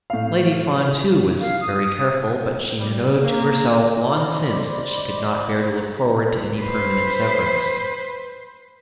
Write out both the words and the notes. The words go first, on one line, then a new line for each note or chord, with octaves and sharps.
Lady Fawn, too, was very careful, but she had owned to herself long since that she could not bear to look forward to any permanent severance.
A2 F5
F5
D#6
G3
A#3
C5 D5 D#5 B5 C6 D6
B4 C5